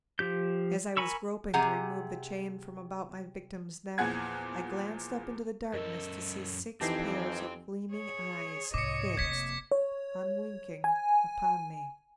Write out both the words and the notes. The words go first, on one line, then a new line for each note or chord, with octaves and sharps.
As I was groping to remove the chain from about my victim's neck I glanced up into the darkness to see six pairs of gleaming eyes fixed, unwinking, upon me.
F3 G4 G6
A#4 G#5 B5 C#6 E6
C3 G4 G#4 F#5 G#5 A#5
E2 A#2 F3 G#4 F#5 G#6
F#2 A4 A#4 D#5
F2 E3 C4 D#4 G4 A5 A#6 C7
G#4 C#5
C2 G#2 C#5 D#5 D6 C#7
F1 A#3 G#6 B6
C#5
G#5